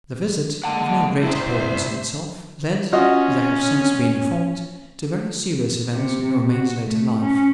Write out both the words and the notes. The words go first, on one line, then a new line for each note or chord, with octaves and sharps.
The visit--of no great importance in itself--led, as I have since been informed, to very serious events in Romayne's later life.
G#3 A#3 F#5 A5
C3 E4 C5 E5
C#4 F4 F#4 D#5
C3
F#4
A3
C#4